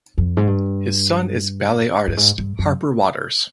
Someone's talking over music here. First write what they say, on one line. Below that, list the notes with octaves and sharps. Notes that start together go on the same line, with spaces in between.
His son is ballet artist Harper Watters.
F2
G#2
G2
G2
G#2
G2
F#2